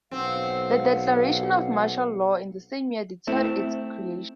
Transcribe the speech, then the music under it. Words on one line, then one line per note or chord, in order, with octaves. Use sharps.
The declaration of martial law in the same year deterred its creation.
B1 C4 F5 F#5
A3 C4 E4